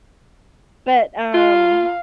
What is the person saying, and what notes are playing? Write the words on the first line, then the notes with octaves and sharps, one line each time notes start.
But, um,
F4 F5